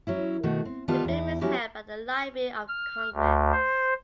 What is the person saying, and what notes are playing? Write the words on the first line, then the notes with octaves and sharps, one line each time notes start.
The film is held by the Library of Congress.
F#3 C#4 E4
B2 D#3 A3 F#4
C4
D#3 G3 B3 F4 F5 A5
E2 E4
F#3 C#4 E4 F#4 G4
F6
D2
C5